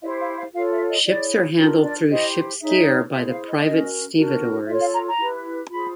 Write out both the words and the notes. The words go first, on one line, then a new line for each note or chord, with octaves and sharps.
Ships are handled through ship's gear by the private stevedores.
E4 G4 C5 E5
F5
F5
F4 A4 C#5 F5
E5
D#5
E4 G#4 C#5 D5
D4 F4 A#4 C#5
D5
E4 G4 C5 D#5
D#4 G#4 C#5 E5
E4 G#4 C5 E5
F5
D#5
C#4 F#4 A#4
D4 F#4 A#4
F4 A4 C#5 E5
F5
A#5
A#5
E4 G4 B4
F4 G#4 C5 B5